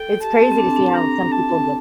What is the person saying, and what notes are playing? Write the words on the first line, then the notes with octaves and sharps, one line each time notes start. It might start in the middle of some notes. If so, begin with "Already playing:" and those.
It's crazy to see how some people built
Already playing: A4 G5
G4 A5
C4
C4
D4
C4
D4
A#5
A5